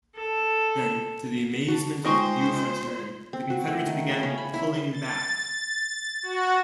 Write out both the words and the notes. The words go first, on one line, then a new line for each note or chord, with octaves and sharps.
Then, to the amazement of Buford's men, the Confederates began pulling back.
A4
F#4 A5
G#3 D#4 F4 C5 D#5 G5 C#6
C4
F#4
A3
D#3
C#3
C#4
B5
E4
A6
F#4